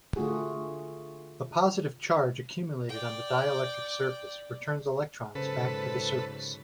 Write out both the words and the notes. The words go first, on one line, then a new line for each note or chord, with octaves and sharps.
The positive charge accumulated on the dielectric surface returns electrons back to the surface.
D3 A3 F4 F#4 G#4
D5 G5
G#2 C#3 F#3 A4 B4 C5